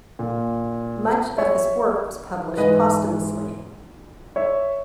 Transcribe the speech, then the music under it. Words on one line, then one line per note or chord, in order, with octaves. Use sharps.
Much of his work was published posthumously.
A#2
C#5 E5
G#2 E3 B4 D#5
C#5 E5